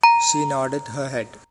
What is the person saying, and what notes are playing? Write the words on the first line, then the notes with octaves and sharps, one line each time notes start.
She nodded her head.
A#5